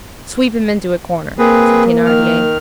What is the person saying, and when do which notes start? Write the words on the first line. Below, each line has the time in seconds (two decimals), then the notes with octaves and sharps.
"Sweep him into a corner," said Thenardier.
1.39 A#3 C4 G#4 B4
2.06 D#3 F6